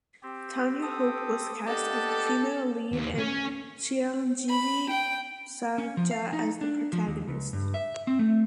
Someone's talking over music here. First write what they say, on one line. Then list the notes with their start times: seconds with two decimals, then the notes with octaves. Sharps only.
Tanya Hope was cast as the female lead and Chiranjeevi Sarja as the protagonist.
0.23 C4 G4
0.82 A4 D#6
1.67 B3 D4 G4 A4 D#5 A5
2.93 D#2
3.19 C#4
4.50 B5
4.90 G5
5.78 C#4
5.97 F3
6.11 F5
6.33 D#4
6.61 D4
6.93 F3
7.07 D#2
7.28 C#2
7.53 G2
7.74 E5
8.07 C4
8.19 A3